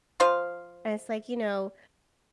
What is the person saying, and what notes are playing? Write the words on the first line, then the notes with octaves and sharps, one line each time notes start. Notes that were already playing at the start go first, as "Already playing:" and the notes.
and it's, like you know,
F3 F4 C5 F5